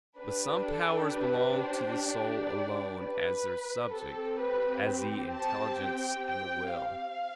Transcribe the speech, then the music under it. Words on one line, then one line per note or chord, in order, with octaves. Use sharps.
But some powers belong to the soul alone as their subject; as the intelligence and the will.
D4 G4 B4
A4
B4
C5
D5
B4
C4 G4 A4
B4
A5
G5
G5
F5